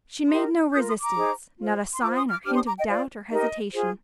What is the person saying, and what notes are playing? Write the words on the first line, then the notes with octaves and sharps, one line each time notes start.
She made no resistance, not a sign or hint of doubt or hesitation.
D#4 G4 A#4 C6 D#6
F4 A#4 D#6 G6
C6 D#6
A#5 D6
D#4 G#4 C5
F4 C5
C6
F4 C5 A#5 D6
C6 D#6
D6 F6
D4 G4 C5 D6 F6
C6 D#6
A#5 D6
D#5 G5
F4 C5 D5 F5
D#4 G4 A#4 D#5
F4 G#4 C5